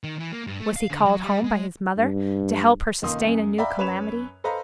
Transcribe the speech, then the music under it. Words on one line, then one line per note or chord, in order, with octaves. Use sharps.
Was he called home by his mother to help her sustain a new calamity?
D#3
E3
A#3
G2
A3
F5
D3
F#3
G3
G#3
G2
F1 C#2 D#3 A#3 C6 D#6
F#2
D5 E5 F5 G5 A#5 B5
F#2 B4 C#5 E7 F7
A4 B4 C5 D#5 F5 A#5